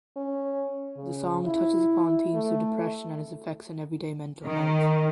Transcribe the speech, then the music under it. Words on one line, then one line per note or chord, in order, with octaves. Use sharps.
The song touches upon themes of depression and its effects on everyday mental health.
C#4
C#3
E4
A3
D#3